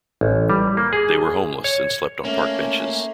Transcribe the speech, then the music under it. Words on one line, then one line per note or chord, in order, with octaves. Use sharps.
They were homeless and slept on park benches.
A1
G3
A#3
G#4
C#5
A3 A#3 C#4